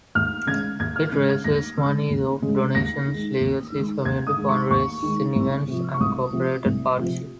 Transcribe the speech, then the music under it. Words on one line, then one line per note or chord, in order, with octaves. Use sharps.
It raises money through donations, legacies, community fundraising, events and corporate partnerships.
D#2 F6
C#3 G#3 G#6
D#2 G#6
F6
C#3 G#3 G#6
G#6
D#2 A#6
C#3 G#3
D#2
C#3 G#3
D#2 A#6
D#3 G#3
D#2
D#3 G#3
D#2 G#6
D#6
D#3 G#3
C#6
D#2 C#6
D#3 G#3
C2
C3 F3
C#6
C2 D#6
C3 F3
C2
C3 F3